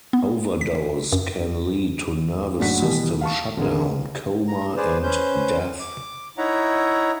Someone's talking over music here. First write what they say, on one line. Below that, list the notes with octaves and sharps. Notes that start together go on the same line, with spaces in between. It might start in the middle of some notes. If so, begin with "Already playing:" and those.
Overdose can lead to nervous system shutdown, coma and death.
B3
B6
F#2
F#1 A2 D4 F#4 B6
B2 D#3 E3 G3
F5 A5 C#6
A1 D3 C4 G#4 A#4
A#5
G#4 B4 C5 D5
C#4 B4 C5 G6
D6
D#4 E4 C#5 E5 F#5 A#5